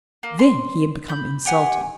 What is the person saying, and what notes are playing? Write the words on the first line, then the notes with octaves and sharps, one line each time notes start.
Then he had become insulting.
A#3
C6
B5 G6
G4 F#5 G#5